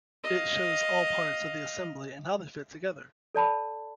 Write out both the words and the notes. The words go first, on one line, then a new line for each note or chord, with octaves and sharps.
It shows all parts of the assembly and how they fit together.
D#5 F5
A4 D5 A5 B5